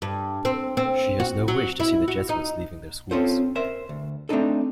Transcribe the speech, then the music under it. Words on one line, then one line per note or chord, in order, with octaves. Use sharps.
She has no wish to see the Jesuits leaving their schools.
G2
C4
C4
F#4
F#3
E4
F#4
D#4
C4 C#4 F4 A4 C5
A#4 C5 E5
D2
A3 C4 D4 D#4 A4